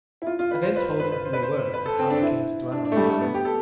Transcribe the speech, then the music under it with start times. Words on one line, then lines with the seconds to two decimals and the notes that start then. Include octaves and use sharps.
I then told him who we were, and how we came to dwell on the isle.
0.22 E4
0.26 F4
0.39 F4
0.51 B4
0.63 C5
0.76 B4
0.88 C5
1.00 B4
1.12 B4
1.25 C5
1.33 B4
1.43 C5
1.73 B4
1.86 A4
1.99 C4
2.10 D4
2.22 E4
2.72 D4
2.85 D4
2.92 A3
2.97 G3
3.09 A3
3.21 B3
3.34 G4
3.45 A4